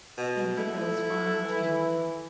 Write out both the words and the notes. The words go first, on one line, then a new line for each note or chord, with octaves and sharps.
Benfica's farm team.
B2
E4 A4
E3